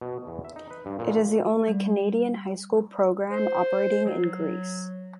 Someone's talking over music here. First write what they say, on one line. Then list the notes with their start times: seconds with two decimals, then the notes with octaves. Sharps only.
It is the only Canadian high school program operating in Greece.
0.01 B2
0.27 E2
0.45 E5
0.56 D#4
0.71 B4
0.86 G2
0.99 A#2
1.11 E3
1.68 G3
3.31 C5
4.05 F#3